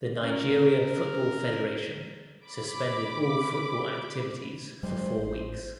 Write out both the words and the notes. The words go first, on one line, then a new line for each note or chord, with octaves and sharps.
The Nigeria Football Federation suspended all football activities for four weeks.
C#4 A#4
B5 D6
G2 F#3 G#3 C5
A1